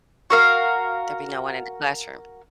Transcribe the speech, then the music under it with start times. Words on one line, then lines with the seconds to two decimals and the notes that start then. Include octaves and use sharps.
there'll be no one in the classroom.
0.30 F#4 A#4 F5